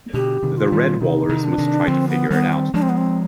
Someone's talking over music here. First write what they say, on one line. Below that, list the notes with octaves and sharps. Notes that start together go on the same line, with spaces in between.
The Redwallers must try to figure it out...
B2 D3 G4
C3 D#3
F4
D#3 G3
C3 D#3 D#4
C3 D#3
D4
C3 D#3
D3 F3 C4
B3
D#3 G3 B3
C4
F3 G#3 D4
C4
B3
C4